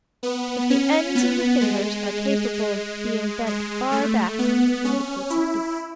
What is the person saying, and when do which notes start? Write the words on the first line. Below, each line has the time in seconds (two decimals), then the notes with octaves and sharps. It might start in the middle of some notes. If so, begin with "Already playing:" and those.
If the ends of the fingers are capable of being bent far back, it indicates a thief.
0.23 B3
0.70 C#4
1.15 B3
1.61 G#3
2.54 G#3
3.46 G#3
3.92 A3
4.39 B3
4.85 C#4
5.30 E4